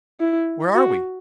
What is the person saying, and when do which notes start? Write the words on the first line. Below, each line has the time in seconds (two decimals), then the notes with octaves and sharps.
"Where are we?"
0.20 E4
0.75 F#4